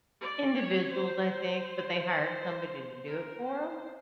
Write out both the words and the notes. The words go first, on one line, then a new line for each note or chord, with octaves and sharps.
Individuals, I think, but they hired somebody to do it for 'em.
D5
C#5
C5
C5
A#4
C5